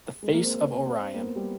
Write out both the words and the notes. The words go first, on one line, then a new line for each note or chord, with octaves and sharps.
The face of Orion.
G#3
A#3
C4
C4
A#3
B3
G3